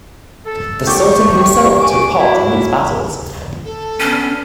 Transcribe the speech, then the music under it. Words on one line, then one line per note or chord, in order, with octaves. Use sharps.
The Sultan himself took part in these battles.
A4
C2 D3 F3 G4 C#6
A3 G4
G#5 D6
F#3 C#4 E4 F#4
A4
D3 B3 C#4